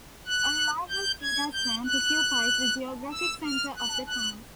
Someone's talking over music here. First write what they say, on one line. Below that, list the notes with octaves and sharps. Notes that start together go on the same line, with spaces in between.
A large cedar swamp occupies the geographic center of the town.
F#6
G6
G#6
G6
F#6
E6
F6
F#6
F#6